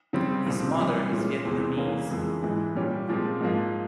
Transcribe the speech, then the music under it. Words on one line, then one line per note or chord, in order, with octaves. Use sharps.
His mother is Vietnamese.
C#3 G3 C4
C2 A#2 F3 C4
E3 G3 C#4
A#2 G#3 C#4
E2 C3 E3 G#3 C4
C#3 E3 A#3 C#4
F2 E3 G#3
G#2 E3 G#3 E4
A#2 G3 C#4 G4
A#2 F3 G#3 C4
G#2 F3 A#3